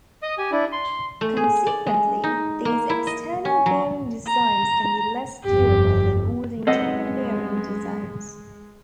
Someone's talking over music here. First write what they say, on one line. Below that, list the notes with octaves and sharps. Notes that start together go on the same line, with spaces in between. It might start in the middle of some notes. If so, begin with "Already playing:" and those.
Consequently, these external bearing designs can be less durable than older internal bearing designs.
D#5 D#6
G4 G#5
D4 E4
C6
A3
G#4
D5
G#3
D#4
A#3
E4
D#5
C#4
F#3
A#5
G1 F2 G4
F#2 G#3 B3 C4 A4 D#5 F#5